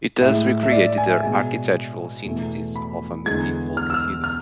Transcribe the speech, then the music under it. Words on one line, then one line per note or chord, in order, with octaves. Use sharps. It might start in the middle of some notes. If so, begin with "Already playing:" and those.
He thus recreated the architectural synthesis of a medieval cathedral.
A2 G#3 E5
E5
D5
G#5
E5
B2 G#3 G#5
E2 B2 A3
B5
E2 D3 G#3 G#6
F6
E6
F6
F6